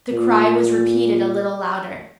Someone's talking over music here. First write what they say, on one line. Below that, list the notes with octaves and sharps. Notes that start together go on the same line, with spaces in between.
The cry was repeated a little louder.
A#2